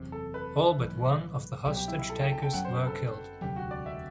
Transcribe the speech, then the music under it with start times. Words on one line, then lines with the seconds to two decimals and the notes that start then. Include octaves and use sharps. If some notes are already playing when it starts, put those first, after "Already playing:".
All but one of the hostage-takers were killed.
Already playing: F#1 E2 C3
0.12 A4
0.34 B4
0.79 B1 A2 E3
1.65 C2 B2 F#3 G4
1.77 G4
1.88 E4
1.99 E4
2.10 A4
2.21 G5
2.32 A5
2.43 G5
2.53 G1 F#2 F#3 F#5
2.65 C5
2.76 B4
2.87 A4
3.41 E1 D2 C3 F#3 G4
3.56 F#4
3.71 D5
3.86 E5